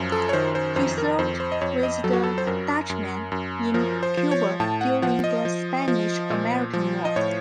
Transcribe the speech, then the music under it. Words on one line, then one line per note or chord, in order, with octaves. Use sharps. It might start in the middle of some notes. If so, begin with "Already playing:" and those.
He served with the Dutchman in Cuba during the Spanish-American War.
Already playing: F#2 F3
A4
C#5
D#3 C5
C5
F2 C5
A#4
F2 C5
C5
D#5
F2 C#5
D#5
F#3 A4
F#4
A4
C5
F#2 A#4
F#2
F#2
F3 A#4
C5
F3
C#5
A2 A5
F#5
F3 F#5
D#5
F3
F3
A#2
F3
D#5
A2 C#5